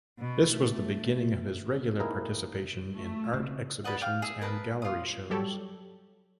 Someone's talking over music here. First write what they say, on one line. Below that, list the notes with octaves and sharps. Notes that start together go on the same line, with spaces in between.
This was the beginning of his regular participation in art exhibitions and gallery shows.
B2
A3
A#3 D#4 E4 G#4 A#4
A3
C#3 C4
B4 D5 D#5 F#5
F5 G5 D6
G#4 E5
A#4 B4 A5 D#6
F4 D#6
F#3 G3 G4 A4 C#5